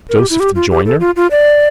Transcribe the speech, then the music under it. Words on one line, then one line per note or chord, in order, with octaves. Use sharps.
Joseph the Joiner?
A#4
G4
E4
G4
F4
G4
A4
F4
F4
D5